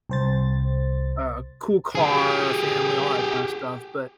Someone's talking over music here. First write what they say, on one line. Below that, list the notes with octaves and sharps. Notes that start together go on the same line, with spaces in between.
a cool car, a family, all that kind of stuff. But
C2 C5 A6
G4 G#4